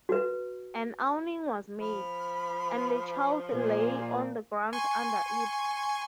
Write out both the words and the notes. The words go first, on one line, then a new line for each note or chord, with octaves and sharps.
An awning was made, and the child lay on the ground under it.
F#4 B4
F3 B5 F6
A#2 G#4 C5
G#5 C6 C#6